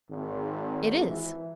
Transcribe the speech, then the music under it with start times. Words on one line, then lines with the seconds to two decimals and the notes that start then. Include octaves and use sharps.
"It is."
0.10 G#1
1.07 E3